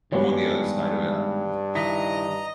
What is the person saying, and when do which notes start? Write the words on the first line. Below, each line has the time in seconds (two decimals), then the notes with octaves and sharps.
I'm on the other side of it a
0.12 G2 D#3 G3 G#3 B3 C#5
1.75 D#3 E4 D#5 A#5 B6